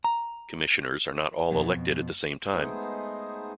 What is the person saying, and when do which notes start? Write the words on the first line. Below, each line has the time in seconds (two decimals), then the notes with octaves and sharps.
Commissioners are not all elected at the same time.
0.04 A#5
1.51 F2 B2
2.53 G#3 A3 B3 D#4 G#4 C5